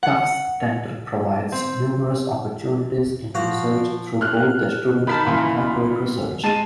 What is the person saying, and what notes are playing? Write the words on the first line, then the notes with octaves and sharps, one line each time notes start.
Tufts Dental provides numerous opportunities in research through both their student and corporate research.
F#5
C4
F3 F#4 F5
F6 F#6
D#3 A#4 A5 B5 B6
A#2 C#3 E3
G#3 A5 D#7